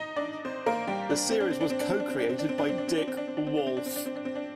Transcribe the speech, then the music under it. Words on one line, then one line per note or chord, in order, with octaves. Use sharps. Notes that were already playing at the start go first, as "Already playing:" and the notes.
The series was co-created by Dick Wolf.
Already playing: D#4 D#5
D4 D5
C4 C5
A#3 A#4
G3 G4
D4
C4
D4
C4
D4
C4
D4
C4
D4
C4
D4
C4
D4
C4
D4
C4
D4
C4
D4
C4
D4
C4
D4
C4
D4
C4
D4
C4
D4
C4
D4
C4
D4